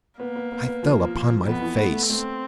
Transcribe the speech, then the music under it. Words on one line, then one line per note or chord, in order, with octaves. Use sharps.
I fell upon my face.
A#3 B3
B3
B3
B3
F3
F3
F3
F3
F2 B3
E3
A3
A3
A3 C4